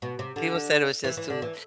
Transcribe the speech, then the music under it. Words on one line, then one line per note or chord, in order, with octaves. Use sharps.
People said it was just too
B2
C3
D3
E3
E3
D3
E3